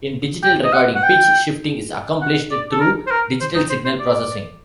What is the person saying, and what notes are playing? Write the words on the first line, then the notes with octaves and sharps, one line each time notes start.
In digital recording, pitch shifting is accomplished through digital signal processing.
G5
D#5
F#5
F#5
G5
F#5
D5
A4
A#4
C5
A#4
C5
D#4
C5
C5
D5